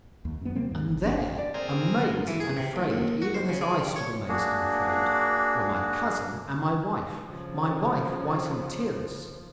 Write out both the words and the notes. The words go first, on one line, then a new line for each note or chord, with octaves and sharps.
And there, amazed and afraid, even as I stood amazed and afraid, were my cousin and my wife--my wife white and tearless.
D#2
F#2 B3
C3 G3 A#3 C4
D#2 G#2
G#1 G2
G#1 D4
D5
C4 G#4 A#4
E3
G#4
C3
A1
D#2
F#4
C5
C#3
G#3
G3
C#5
A#3 D4 F#4 G#4
C#3 F3